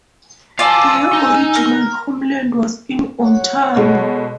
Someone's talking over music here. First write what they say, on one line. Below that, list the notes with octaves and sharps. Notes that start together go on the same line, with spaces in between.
Their original homeland was in Ontario.
F4 D5 F5 G#5 A5 E6
D#4
A#4
C#5 F#5
B2 G#3 A4